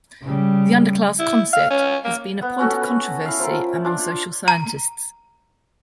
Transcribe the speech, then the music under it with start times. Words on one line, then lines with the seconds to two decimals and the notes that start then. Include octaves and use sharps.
The underclass concept has been a point of controversy among social scientists.
0.23 C#3 G3
1.19 E4
1.53 F5
1.71 C#4
2.05 A#3
2.41 B3 F#5
2.59 C#4 F#4 A4
2.82 B4
3.26 E4 F5
3.39 F3 E4 A#4
3.85 D4 F4
4.48 A#5